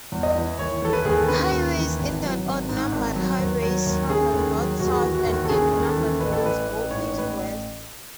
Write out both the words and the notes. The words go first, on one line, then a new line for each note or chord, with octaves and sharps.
Highways in that odd numbered highways travel north-south and even numbered routes go east-west.
E2
D#5
E3
D#2 C#5
E3 A4
B4
D#2 G#4
A4
C#3 B4
D#2
E3
G#1
F#3
G#1
G#2
G#1
F#3
D#2
F#3
D#2
C#3 G#4
D#2
F#3
D#2 F#4
G#4
F#4
E3
F#4
D#2
A4
C#3 G#4
D#2
A4
E3
A1 B4
A4
E3 B4
A1
G#2 C#5
A1 B4